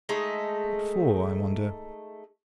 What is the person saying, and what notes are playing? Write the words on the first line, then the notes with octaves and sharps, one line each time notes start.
What for, I wonder?
G#3 A3 D#4